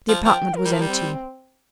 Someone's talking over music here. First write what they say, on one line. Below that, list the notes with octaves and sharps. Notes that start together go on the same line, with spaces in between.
The apartment was empty.
F3
F3 G5
A#4
G3
F3
G3
C4